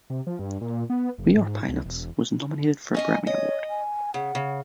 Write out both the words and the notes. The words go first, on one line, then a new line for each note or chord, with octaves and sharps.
"We Are Pilots" was nominated for a Grammy Award.
C3
F3
G2
A#2
B3
F#1
G#2
C#2
E1
C#4 D#5 G#5
C#5 D#5
G#5
C#3 F#5
C#3